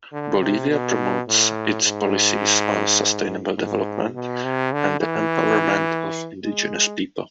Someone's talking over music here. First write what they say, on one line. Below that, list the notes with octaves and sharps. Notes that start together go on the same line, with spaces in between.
Bolivia promotes its policies on sustainable development and the empowerment of indigenous people.
D3
C3
B2
A2
G#2
G#2
B2
C3
D3
E3
G#3